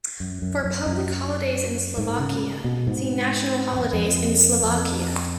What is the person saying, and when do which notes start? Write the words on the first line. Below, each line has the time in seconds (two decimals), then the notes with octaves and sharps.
For Public holidays in Slovakia see National holidays in Slovakia.
0.20 F#2
0.42 F#2
0.65 F#2
0.86 F#2
1.97 G#2
2.19 C#3
2.64 B2
2.87 G#2
3.75 F2
3.93 F2
4.64 F2